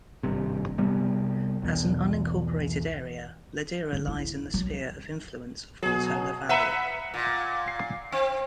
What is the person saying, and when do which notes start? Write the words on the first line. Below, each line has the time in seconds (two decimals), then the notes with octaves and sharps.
As an unincorporated area, Ladera lies in the sphere of influence of Portola Valley.
0.23 G#1 G2 C3
0.78 C3 G3 B3
1.62 B1 E2
3.93 D3
4.07 E4
4.54 F#3
5.82 B2 F#3 G#4
6.49 B4 E5 F#5 A#5 C#7
7.14 A#2
7.68 C7
8.12 C4